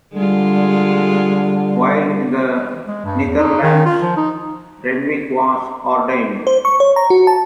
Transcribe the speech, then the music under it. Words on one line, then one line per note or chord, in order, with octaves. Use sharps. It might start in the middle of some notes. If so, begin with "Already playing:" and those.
While in the Netherlands Renwick was ordained.
D3 G3 G#3 F4
G#3
G2
E2
D#4
D#3
F4
F3
D#4
C5
C#6
C#5
A#5
F#4
A5